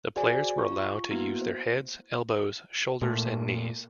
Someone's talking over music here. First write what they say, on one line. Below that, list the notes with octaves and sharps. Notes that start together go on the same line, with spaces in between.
The players were allowed to use their heads, elbows, shoulders and knees.
F#4 G#4 C5 D5 G#5
F4 C#6
A#3 B3 E4 F#4
C5
A#2 A3